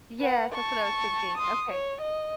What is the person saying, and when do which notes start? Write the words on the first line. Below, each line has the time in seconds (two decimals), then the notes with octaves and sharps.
Yes, that's what I was thinking. Okay.
0.20 B4 F#5
0.52 A5 C#6
1.37 C6 D#6
1.69 C#5
2.01 D#5